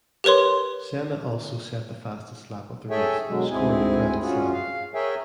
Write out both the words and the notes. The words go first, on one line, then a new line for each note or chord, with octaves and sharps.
Senna also set the fastest lap of the race, scoring a Grand Slam.
G4 A#4 B4 C#5 C6
G#4 A4 C#5 E5 G5 G#5
B2 D3 F#3 G#3
D2 G#2 C4 E4 G#4 G#5
C#4 F4 F#4 G#4
F5
G#4 A#4 C#5 E5 G5 G#5